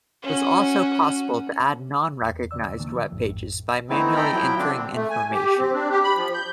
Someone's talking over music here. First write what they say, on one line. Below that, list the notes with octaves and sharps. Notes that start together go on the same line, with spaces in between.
It was also possible to add non-recognised webpages by manually entering information.
C#4 F#4
E2
D#2 C#3 D5 E6
A#2 D3 E3 A#3
F3
A1 F2 G#2
E3 A3 B3 C4 D#4 E4
A4 G5 A#5 B5
F3 F#3 E4 G5
D3 C4 D4
A3
G#5
G4
C4
D4
G4
B5
F3
G6